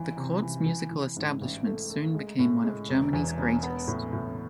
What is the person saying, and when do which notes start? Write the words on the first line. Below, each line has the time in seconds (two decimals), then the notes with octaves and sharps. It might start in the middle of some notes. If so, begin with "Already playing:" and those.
The court's musical establishment soon became one of Germany's greatest.
Already playing: G#1 E3
0.17 C3
0.42 E3
0.66 E3
0.91 E3
1.17 G#2
1.41 A1
1.66 A3
1.90 A3
2.14 G#3
2.39 A2
2.64 G#3
2.89 E1
3.13 E2
3.38 E1
3.63 B3
3.88 A2
4.13 A2